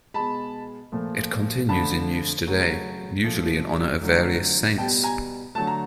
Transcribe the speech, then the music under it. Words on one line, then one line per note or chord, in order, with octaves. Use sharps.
It continues in use today, usually in honor of various saints.
B2 G#3 A5 B5
A#2 F3 A3
D3 F3 A3 A5 B5
C#3 F#3 A3
A#2 F3 A3
D3 F#3 A3
B2 G3 G5 A5
G#5 A#5
D3 F#3 A3 A5
A#5